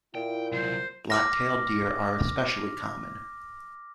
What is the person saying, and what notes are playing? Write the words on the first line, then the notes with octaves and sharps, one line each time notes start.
Black-tailed deer are especially common.
A#2 E4 G5
C2 F#3 C5
D6 F6 A#6